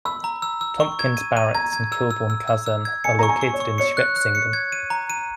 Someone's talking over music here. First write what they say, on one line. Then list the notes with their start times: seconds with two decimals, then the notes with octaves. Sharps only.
Tompkins Barracks and Kilbourne Kaserne are located in Schwetzingen.
0.05 B5 E6
0.24 A#5
0.42 E6
0.61 E6
0.80 C#6
0.99 G#6
1.17 D#7
1.37 D#7
1.55 A#5 G#6
1.73 G#6
1.92 E6
2.11 E6
2.30 E6
2.48 E6
2.66 E6
2.85 G#6
3.04 G#5 C#7
3.19 A#5 C#6
3.29 G#5
3.41 C#6
3.53 C#5
3.60 C#6
3.78 C#5 C#7
3.97 F#6
4.16 F#6
4.35 C#7
4.53 G#6
4.72 D#7
4.90 A#5
5.10 D#7